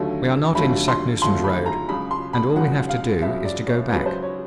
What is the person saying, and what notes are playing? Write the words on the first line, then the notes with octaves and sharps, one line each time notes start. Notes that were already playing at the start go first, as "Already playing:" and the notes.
We are not in Saknussemm's road, and all we have to do is to go back.
Already playing: D#2 D3 F#3 A3
D#2 D3 F#3 A3 B5
C6
D#2 D3 F#3 A3 C6
B5
A#5
C#2 C#3 F#3 B5
C6
B5
C#2 C#3 F#3 F#5
F5
C#2 C#3 F#3 E5
D5
C#5
C#2 C#3 F#3 B4
B4
C5
C#5